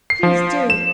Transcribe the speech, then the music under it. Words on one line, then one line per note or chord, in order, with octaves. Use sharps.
Please do.
C7
F3
E7